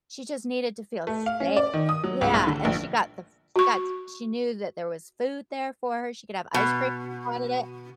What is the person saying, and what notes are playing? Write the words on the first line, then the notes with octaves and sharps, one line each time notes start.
she just needed to feel safe. Yeah, and she got the f she got she knew that there was food there for her, she could have ice cream wanted it,
A3
F5
C#4
D5
D#3
D#6
F#3
C#2
B1
D3
A#1
F#4 C#6
B2